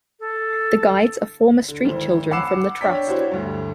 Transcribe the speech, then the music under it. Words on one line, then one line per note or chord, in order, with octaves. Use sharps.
The guides are former street children from the trust.
A4
D3
G#1 E4 C5
F#5 B5 D6 E6 C7 E7
D4 C#5 D5 G5 B6
D4 E4 F#4 G4 C5 C#5
D2 G2